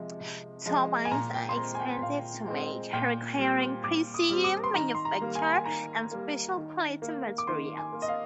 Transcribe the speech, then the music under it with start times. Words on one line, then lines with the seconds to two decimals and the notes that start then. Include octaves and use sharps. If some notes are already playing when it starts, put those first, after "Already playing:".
Turbines are expensive to make, requiring precision manufacture and special quality materials.
Already playing: C3 F3 G#3
0.20 C3
0.66 F3 G#3
1.05 G#5
1.11 A#2 A#5
1.34 G5
1.49 C6
1.56 G#3 C4 A#5
1.75 G#5
1.80 G5
2.02 A#2 F5
2.48 G#3 C4
2.93 A#2 G5
3.38 G3 C4
3.84 A#2 D6
4.14 D#6
4.30 G3 C4
4.44 D6
4.64 C6
4.75 D#3 A#5
4.95 C6
5.05 A#5
5.21 G3 A#3
5.35 G#5
5.54 G#5
5.65 D#3 A#5
6.12 G3 A#3
6.57 D#3
7.02 A#3
7.38 D6
7.47 D#3 C6
7.78 G#5
7.93 A#3
8.02 D#5
8.08 F5